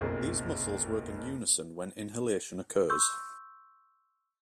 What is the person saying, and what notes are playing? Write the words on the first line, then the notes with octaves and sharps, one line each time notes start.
These muscles work in unison when inhalation occurs.
F#1 B1 F2 G#4 A#4
C6 C#6 E6 G6